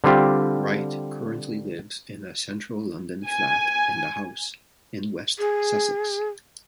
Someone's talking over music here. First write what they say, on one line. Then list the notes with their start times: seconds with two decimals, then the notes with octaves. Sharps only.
Wright currently lives in a central London flat and a house in West Sussex.
0.04 D3 G3 C4 F4 G4
3.27 G#5
5.38 G#4